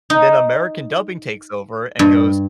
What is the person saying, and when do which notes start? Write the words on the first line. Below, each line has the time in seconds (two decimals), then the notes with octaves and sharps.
Then American dubbing takes over and goes,
0.10 D#4
1.99 G2